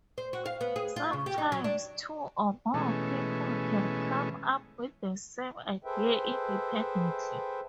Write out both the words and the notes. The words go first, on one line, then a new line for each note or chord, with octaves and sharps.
Sometimes, two or more people can come up with the same idea independently.
C5
F#4
F5
B3
G#4
F4
C#3
G4
D#4
F#3
D4
B2 E3 G#3 A3 C#4
G#4 A4 B4 C5 E5 G5